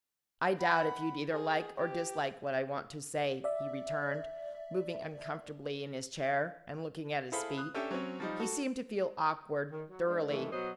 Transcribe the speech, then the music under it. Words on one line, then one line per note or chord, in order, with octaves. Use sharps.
"I doubt if you'd either like or dislike what I want to say," he returned, moving uncomfortably in his chair and looking at his feet--he seemed to feel awkward, thoroughly.
F#5 B5
G#4
G4
D5 E5
E4 G#4 A4 C5 F5 B5
D#6 F#6
C#4 D4 G4 A4 E5 G5
F#3 C4 C#4
F3 G3 D#4
F#4 A4
D#3
F#3
G#3 D4
G2 D#3 E3 G#3 A3
B2 F#3 B3 C5 D#5